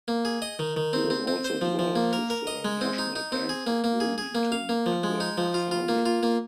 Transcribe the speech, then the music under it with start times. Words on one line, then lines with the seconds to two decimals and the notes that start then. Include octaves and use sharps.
He was also involved with the National Bank of Bloomington and with farming.
0.08 A#3
0.25 G#4
0.42 D#5
0.59 D#3
0.77 D#3
0.93 C4
1.10 C4
1.27 C4
1.44 C5
1.61 F3
1.79 F3
1.96 A#3
2.13 A#4
2.30 A#4
2.47 D#5
2.65 G#3
2.81 C4
2.98 D#4
3.16 D#4
3.32 C4
3.49 G#4
3.67 A#3
3.84 A#3
4.00 G#4
4.18 G#4
4.35 A#3
4.52 F5
4.69 A#3
4.86 F3
5.03 G#3
5.20 D#4
5.37 F3
5.54 F4
5.71 F4
5.88 A#3
6.06 F4
6.23 A#3